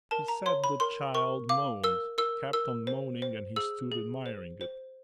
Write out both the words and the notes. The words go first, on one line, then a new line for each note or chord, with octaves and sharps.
He said the child moaned, kept on moaning and he stood admiring it.
A#4 A5
A#5
C#5 C6
B5
A#4 C6
A#4 C#6
F5 D6
A#4 E6
A#4 E6
A#4 E6
C5
C5
G#4 E6
G#4
C5
C5